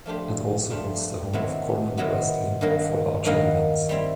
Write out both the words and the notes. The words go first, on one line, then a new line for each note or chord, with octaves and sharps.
Its also holds the home of Cornell wrestling for larger events.
F3 A3 D4 G4 C5
F3 A3 D4 G4 C5
C3 D#3 F#3 B3 E4
C3 D#3 F#3 B3 E4
G2 D#3 F#3 A#3
G2 D#3 F#3 A#3
G3 C4 E4